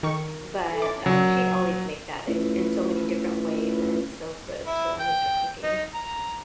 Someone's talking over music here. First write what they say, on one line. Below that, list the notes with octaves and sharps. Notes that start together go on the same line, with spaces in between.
but, um, she'd always make that in in so many different ways, and it's so good too, I miss her cooking.
D#3 A#4 C#6
D#4 E4 A4
F3 C#4 F4 D6 A6
A#2 C#3 F#3
A3 C#4 E4 F4 B4
E4
G5
D#4
A#5